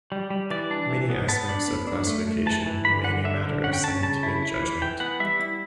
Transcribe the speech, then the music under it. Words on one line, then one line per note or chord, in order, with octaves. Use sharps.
Many aspects of classification remain a matter of scientific judgment.
G3
G3
E3 D5
D4
E3
B3
B3 A5
D4
B3
D4
A3
A3
E3 A5
E3
D3 B5
D3 F#5
D3 E5
D3
C#4 F#5
G5
C#4 A5
C#3 A5
E4
E4
E3
E3 G5
B3 F#5
G3 E5
E4